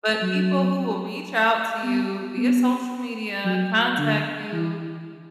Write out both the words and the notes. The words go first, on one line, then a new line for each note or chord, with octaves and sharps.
but people who will reach out to you via social media, contact you,
F#3
B3
B3
F#3
D3
E3